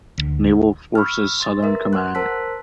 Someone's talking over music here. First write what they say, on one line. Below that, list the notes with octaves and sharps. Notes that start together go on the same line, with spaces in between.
Naval Forces Southern Command.
D2
B5 C#6 E6 F6
C#6
C6 A6
A#4 B4 E5
F#5 C6 F#6
A#4 C5 A5 E6 F#6 B6